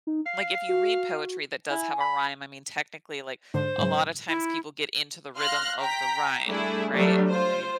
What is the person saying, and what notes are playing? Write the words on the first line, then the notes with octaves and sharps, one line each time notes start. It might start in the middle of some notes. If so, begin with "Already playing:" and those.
like, if you read poetry that does have a rhyme, I mean, technically, like, a lotta times people get into the rhythm of the rhyme, right? That they
D#4
F5 C7
F#4
E4 G#5
B5
G#2 D3 C5
G#2 C#3 F#3
E4
F5 C6 F6 F#6 A#6
G5 A#5 B6
G3 A3 D4 E4 G#4
F#3 G3 A3 D4
F4 C5